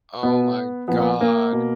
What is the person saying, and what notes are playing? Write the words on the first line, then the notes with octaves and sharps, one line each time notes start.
Oh my god.
B2 B3
A#2 F3 B3
B3
A#3
B2